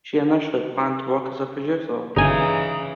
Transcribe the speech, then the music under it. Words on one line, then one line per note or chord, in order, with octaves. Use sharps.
She initially planned to work as a producer.
G1 C#3 E3 D#4 G#5